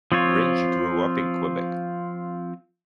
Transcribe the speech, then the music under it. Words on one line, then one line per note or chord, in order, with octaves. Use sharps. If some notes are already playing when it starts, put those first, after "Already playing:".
Ringe grew up in Quebec.
F3 C4 F4 C#5